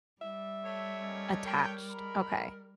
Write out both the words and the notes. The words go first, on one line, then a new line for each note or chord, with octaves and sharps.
Attached, okay.
G3 E5
A3 C#5
A#3 C#4 D#5
A#4 G5
G#3 A#5 B5